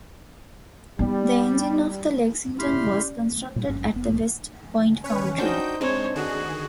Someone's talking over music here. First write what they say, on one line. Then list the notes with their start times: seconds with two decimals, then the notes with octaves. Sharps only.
The engine of the "Lexington" was constructed at the West Point Foundry.
0.99 G3 B3 D#4
2.59 C#4 E4 G4 D5 B5 C6 F6
3.56 A#2 G3
3.68 G#1 G2 C#4
3.94 F1 B3
4.08 B1 G#2
5.04 C#4 B4 C#5
5.38 D4 D#4 F#4 C5 G5 G6
5.81 G#3 C4 D4 D#4 C5 C#5
6.15 D3 D#3 F#4 G#4